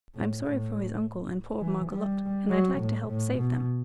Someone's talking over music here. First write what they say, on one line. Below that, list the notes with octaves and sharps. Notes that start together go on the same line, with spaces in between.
I'm sorry for his uncle and poor Margolotte and I'd like to help save them.
A2
A2
E3
G3
F#3
A2
A2
B2